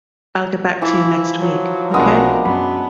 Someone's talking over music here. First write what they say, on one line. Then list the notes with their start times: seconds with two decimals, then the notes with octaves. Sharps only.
I'll get back to you next week, okay?
0.82 E3 F3 E4 F5 D6
1.40 F#3
1.94 B1 G#3 B3 D4 F#4 A#4 D#6
2.45 F#2 B3 B5